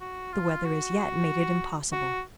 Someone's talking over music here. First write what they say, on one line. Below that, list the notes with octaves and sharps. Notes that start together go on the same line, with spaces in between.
The weather as yet made it impossible.
F#4
F4
F#4
F#4